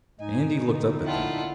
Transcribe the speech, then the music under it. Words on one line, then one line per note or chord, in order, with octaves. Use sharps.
Andy looked up at them.
G#2 D#4 G#5
G#2 B2 D3
D4 E4 F4 F#5 G5 A5